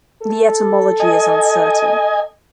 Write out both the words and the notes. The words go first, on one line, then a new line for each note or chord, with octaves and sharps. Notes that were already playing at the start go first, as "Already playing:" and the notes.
The etymology is uncertain.
A4
D#5 G#5